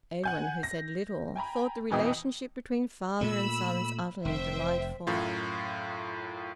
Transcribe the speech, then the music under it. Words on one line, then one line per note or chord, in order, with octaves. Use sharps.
Edwin, who said little, thought the relationship between father and sons utterly delightful.
F#5 G#5 G6
A#6
G5 G#5 A#5 B5
F2 B2 E3 D#4 G5 D#6
A#2 A3 B5 E6
F1 C5 E5 G5
F#2 A2 F4